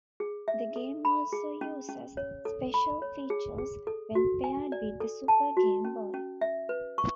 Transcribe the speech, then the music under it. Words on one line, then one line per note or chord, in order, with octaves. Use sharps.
The game also uses special features when paired with the Super Game Boy.
G#4
E5
A4
B5
G#4
C#4
C#4
C#5
A4
B5
C#5
G#4
G#4
A4
F#4
G#5
D5
A4
A5
F#4
C#4
C#4
E5
B4
C#6